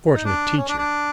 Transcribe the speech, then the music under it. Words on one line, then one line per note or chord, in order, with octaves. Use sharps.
Fortunate teacher!
D#4
D4
C#4
D4
D4